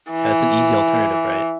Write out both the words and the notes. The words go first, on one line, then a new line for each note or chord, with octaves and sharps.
yeah, it's an easy alternative, right?
E3